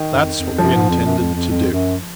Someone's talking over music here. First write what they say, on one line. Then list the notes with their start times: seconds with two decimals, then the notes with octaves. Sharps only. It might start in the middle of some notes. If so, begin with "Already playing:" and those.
That's what we intended to do.
Already playing: D#3
0.13 F#2
0.23 F2
0.39 F2
0.51 F2
0.58 F#2 F3
0.74 G#2
0.89 F2
1.00 F2
1.05 F#2
1.19 F2
1.35 F2
1.49 F2
1.72 F#2